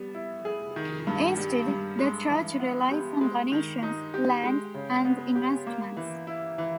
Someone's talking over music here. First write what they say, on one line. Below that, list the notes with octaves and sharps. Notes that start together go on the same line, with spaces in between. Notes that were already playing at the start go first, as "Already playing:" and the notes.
Instead, the Church relies on donations, land and investments.
Already playing: G3 B3
E4
G#4
D#3
G2
G3
G2
G#3
E3
B3
G4
G#3
D#3
D#4
G4
G#3
C#3
B3
G4
A#3
E3
E4
E3